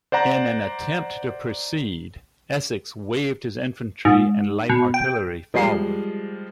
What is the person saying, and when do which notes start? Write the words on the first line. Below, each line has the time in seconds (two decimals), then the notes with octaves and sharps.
In an attempt to proceed, Essex waved his infantry and light artillery forward.
0.12 C5 D5 F#5 A#5
4.05 G#2
4.69 B2
4.94 G5
5.54 F3 G3 G#3 C7